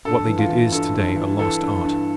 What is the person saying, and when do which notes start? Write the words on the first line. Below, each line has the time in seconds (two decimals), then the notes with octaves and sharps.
What they did is to-day a lost art.
0.05 G2 A4
0.27 E3
0.38 F4
0.49 E3
0.72 G2 A4
0.94 G2
1.16 E3
1.39 E3 A4
1.62 G2
1.84 G2